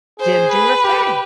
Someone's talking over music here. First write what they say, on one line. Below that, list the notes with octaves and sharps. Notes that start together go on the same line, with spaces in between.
didn't do a thing.
G#4 C5
B4
G4